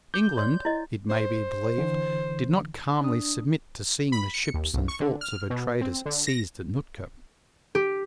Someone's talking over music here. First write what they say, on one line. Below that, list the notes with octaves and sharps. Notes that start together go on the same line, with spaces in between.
England, it may be believed, did not calmly submit to seeing the ships and forts of her traders seized at Nootka.
D6 G6
C#5 D5 C6
E4 D#5
C5
D3 E3
D4 D#6
B5
C#7
D#2
C2
C#6
D3
F6
B2
C4
D3
A#6
G4